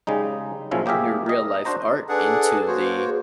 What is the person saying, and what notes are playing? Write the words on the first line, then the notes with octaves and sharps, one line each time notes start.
your real-life art into the,
C#3 G3 G#3 D#4
A#2 C#3 F3 F#3 C#4 E4
A#3 G4 G#4 A#4 E5
A#4 D#5
D4 F#4 C5 A#5
D4 G#4 A4 B4 F#5
A#3 F#4 C5 C#5
G#4